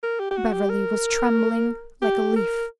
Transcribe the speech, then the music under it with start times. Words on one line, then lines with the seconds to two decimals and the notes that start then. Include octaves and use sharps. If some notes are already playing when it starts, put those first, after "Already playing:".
Beverly was trembling like a leaf.
0.03 A#4
0.20 G4
0.31 G4
0.37 F#4
0.53 G4
0.70 A#4
2.02 G4
2.36 A#4